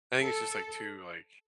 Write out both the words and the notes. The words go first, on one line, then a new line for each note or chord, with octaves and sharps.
I think it's just, like, too, like
A4